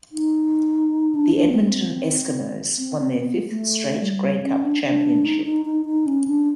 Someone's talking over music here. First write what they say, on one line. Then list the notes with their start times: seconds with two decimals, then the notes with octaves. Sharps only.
The Edmonton Eskimos won their fifth straight Grey Cup championship.
0.12 D#4
1.15 D4
1.35 D4
1.50 B3
1.55 C4
2.78 C4
2.99 C4
3.20 B3
3.46 A3
4.02 G3
4.43 C#4
4.63 D4
4.84 D4
5.25 D#4
5.45 D#4
5.65 D#4
5.85 D#4
6.07 C#4
6.28 D4